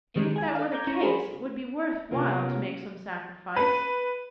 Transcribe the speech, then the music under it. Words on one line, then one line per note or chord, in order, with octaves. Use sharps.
"And if that were the case it would be worth while to make some sacrifice."
D#3 G3 G#3
G#4 G#5
A4 F5
A#5 D6 G6 G#6
C#4 E4 A#5 C#6
D4 F#4 G#4 A#4 C5 B5
C3 A#3 B3 C#4 F4 A#4
B4